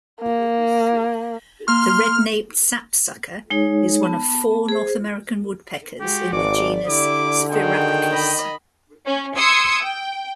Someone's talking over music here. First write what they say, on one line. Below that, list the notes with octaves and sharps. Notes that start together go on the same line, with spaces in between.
The red-naped sapsucker is one of four North American woodpeckers in the genus "Sphyrapicus".
A#3
A#3 C6 F6
G#3 D#4 G#4 C#5
B3 A5
G#4 C5
G#3 F#4 G4
G#1 D5 D6
D3 E4 G4 D6
D#3 F#4 G#4 G5
D#5 B5
C#4
C6 D#6 E6 G#6 C#7
G5